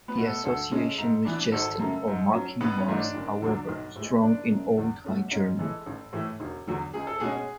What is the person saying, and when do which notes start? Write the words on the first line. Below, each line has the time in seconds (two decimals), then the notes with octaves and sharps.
The association with jesting or mocking was, however, strong in Old High German.
0.08 B3 B4
0.17 B2 A3
0.26 A4
0.44 D2 A4
0.72 C#3 G#3 C#4
0.98 G#2
1.25 E3 B3 D4
1.52 G#1 A4
1.80 F#2 C#3
2.07 G#2
2.33 F#3 C#4
2.61 A1 B3 B4
2.78 C#4 C#5
2.88 G#2 E3 A3
2.98 D4 D5
3.14 F#1
3.42 E2 D3 F#3
3.69 B1
3.96 A2 G#3
4.23 F#1 D4 D5
4.50 F#2 C#3
4.78 E2
5.04 B2 A3 C#4
5.31 G#2 C#4 C#5
5.59 E3 G#3 A4
5.86 A1
6.13 A2 E3 A3
6.40 E1
6.67 E2 D3 F#3
6.94 C#2 G#4
7.07 A4
7.20 B2 G#3 C#4 G#4